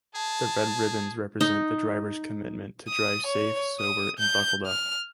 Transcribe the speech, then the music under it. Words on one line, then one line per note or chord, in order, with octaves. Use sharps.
The red ribbons represent the drivers' commitment to drive safe, sober and buckled up.
G#4 A5
D#4
D#6
C#5
D#6
G6
F6